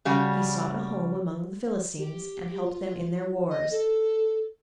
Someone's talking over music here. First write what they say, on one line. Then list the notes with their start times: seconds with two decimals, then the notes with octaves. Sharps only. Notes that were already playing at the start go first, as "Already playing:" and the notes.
He sought a home among the Philistines and helped them in their wars.
0.05 C#3 G3 F#4
1.99 G4
2.63 F4
3.50 D#5
3.72 A4